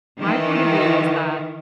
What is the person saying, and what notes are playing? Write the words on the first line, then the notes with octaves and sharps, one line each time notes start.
My point of view is that
D#3 E3